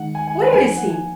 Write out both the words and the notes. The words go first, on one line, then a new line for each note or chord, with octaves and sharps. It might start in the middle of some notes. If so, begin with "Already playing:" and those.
Where is he?
Already playing: D#3 G#3 D#4 F#5
G#5
G#5
F#5
F3 A#3 D#4 G#5
G#5
F#5
G#5